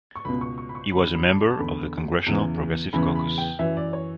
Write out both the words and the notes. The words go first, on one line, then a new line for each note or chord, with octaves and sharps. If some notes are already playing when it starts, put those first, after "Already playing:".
He was a member of the Congressional Progressive Caucus.
C#6
C#2 B2 B5
C#6
C#6
B5
C#6
F#2 D3 B5
B5
A5
B5
A5
E2 D3 B5
E2 C#3 E3
E2 C#3 E3 B5
B5
G5
F#2 E3 E5
D5
C#5